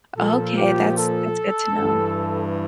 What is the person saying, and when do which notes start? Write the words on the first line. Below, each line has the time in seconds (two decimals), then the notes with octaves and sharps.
Okay, that's that's good to know.
0.16 A#2 F3 A4
0.57 G4
0.98 A4
1.79 G2 E3